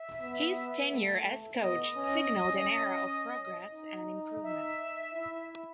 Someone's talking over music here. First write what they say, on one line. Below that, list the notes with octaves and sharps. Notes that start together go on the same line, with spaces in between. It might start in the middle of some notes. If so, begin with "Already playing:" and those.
His tenure as coach signalled an era of progress and improvement.
Already playing: E5
B3
A3
B3 D#5
C#4
C#4
D#4
E5
E4